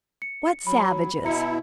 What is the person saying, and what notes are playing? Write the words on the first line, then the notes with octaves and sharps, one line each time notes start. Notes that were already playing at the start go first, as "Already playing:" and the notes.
"What savages?"
C#7
F#3 B5
B2 E4 E5 A#5 C#7